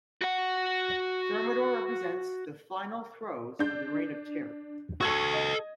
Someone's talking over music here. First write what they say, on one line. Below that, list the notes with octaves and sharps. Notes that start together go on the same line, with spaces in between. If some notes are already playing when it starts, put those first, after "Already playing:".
Thermidor represents the final throes of the Reign of Terror.
F#4 F#5
D4 G6
F#4 A4 C#6 E6 G#6
D#5